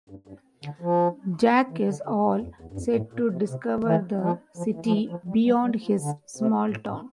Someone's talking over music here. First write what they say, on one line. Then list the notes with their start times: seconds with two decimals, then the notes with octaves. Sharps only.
Jack is all set to discover the city beyond his small town.
0.10 G2
0.27 G2
0.64 D3
0.81 F3
1.71 E3
1.89 D3
2.06 D3
2.24 A#2
2.42 F2
2.61 E2
2.72 G2
2.77 F2
2.96 A2
3.13 A#2
3.32 C3
3.50 C3
3.85 E3
4.21 F3
4.57 F3
4.75 E3
4.85 F3
4.93 E3
5.10 F3
5.28 G3
5.46 G3
5.64 G3
5.82 F3
6.00 D3
6.36 C3
6.71 A2
6.89 A2